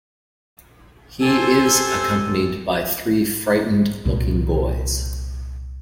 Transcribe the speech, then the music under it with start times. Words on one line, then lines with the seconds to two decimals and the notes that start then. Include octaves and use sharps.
He is accompanied by three frightened-looking boys.
1.22 G4 A4 C5 G#5
4.06 C2 A#2